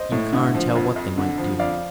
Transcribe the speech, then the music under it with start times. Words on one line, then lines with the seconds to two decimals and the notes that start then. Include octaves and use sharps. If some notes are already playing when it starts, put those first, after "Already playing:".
"You carn tell what they might do."
Already playing: C5 D#5
0.12 A2
0.33 D3
0.55 F3
0.75 F2
0.96 F2
1.18 D3
1.38 F3
1.59 F2 D5 F5